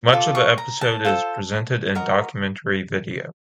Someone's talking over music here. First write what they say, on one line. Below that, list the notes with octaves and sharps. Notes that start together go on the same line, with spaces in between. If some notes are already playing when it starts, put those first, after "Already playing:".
Much of the episode is presented in documentary video.
F4 A4 D6
C#6
A#5
A5
F4 A4 C5
F#4 A#4 D#5